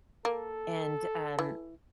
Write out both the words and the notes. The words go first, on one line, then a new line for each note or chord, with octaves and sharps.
and, um
A#3 A4
E3